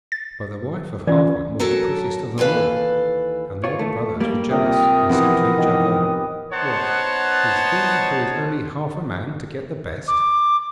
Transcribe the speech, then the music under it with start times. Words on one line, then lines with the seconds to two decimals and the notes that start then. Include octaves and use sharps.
But the wife of Halfman was the prettiest of them all, and the other brothers were jealous and said to each other: 'What, is he who is only half a man to get the best?
0.12 A6
1.07 E3 C#4 F4 D5
1.59 F#3 C#4 A4 A#4 A5
2.38 D#2 E3 A4 B4 F5
3.64 F4 C#5
3.79 A3
4.20 G3 A#3
4.51 C3 F4 G4 A#4 D#6
5.09 F2 C3 E3 B3 B4
5.58 D#3 G4
6.52 B3 D#4 C5 C#5 F#5 A5
10.08 D6